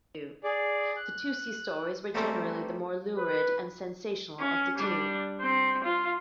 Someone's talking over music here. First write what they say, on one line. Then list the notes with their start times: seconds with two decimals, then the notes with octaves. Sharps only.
The Tousey stories were generally the more lurid and sensational of the two.
0.44 G#4 D5
0.96 F#6
2.15 G3 A3 A#3 C4 C#4 A4
3.18 B4
4.40 C#4
4.77 G3 D4
5.40 C4
5.84 F4